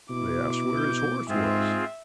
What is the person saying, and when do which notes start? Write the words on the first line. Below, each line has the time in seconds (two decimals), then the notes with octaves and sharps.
They asked where his horse was.
0.10 B2 E4 D6
0.77 G6
1.29 G#2 C4 F4 G#4 E5